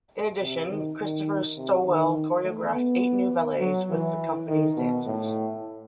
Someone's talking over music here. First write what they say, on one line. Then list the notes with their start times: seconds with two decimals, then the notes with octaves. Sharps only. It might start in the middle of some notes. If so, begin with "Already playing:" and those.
In addition, Christopher Stowell choreographed eight new ballets with the company's dancers.
0.41 C3
0.70 D#3
0.99 D#3
1.57 C3
1.87 D#3
2.44 A3
2.73 B3
3.60 F#3
3.90 E3
4.48 D#3
4.77 B2
5.06 A2